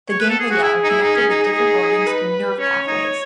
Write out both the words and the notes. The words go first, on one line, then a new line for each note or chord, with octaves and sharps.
The ganglia are connected with different organs through nerve pathways.
C#5
B4
A4
G#4
F#4 G#4
E4
D#4
E4
D#4
C#4
D#4
D#4
G#4
B4
C#4 C#5
D#4